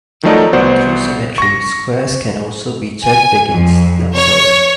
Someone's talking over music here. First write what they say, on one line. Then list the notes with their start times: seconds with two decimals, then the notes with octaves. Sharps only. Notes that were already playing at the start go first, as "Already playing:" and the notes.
Through symmetry squares can also be checked against themselves.
0.23 D#3 F3 F#3 A3 D#4 D5
0.53 C2 B3 F#4 C5 D5
1.38 C#6 A#6
3.03 G#5
3.50 F2
4.14 C#5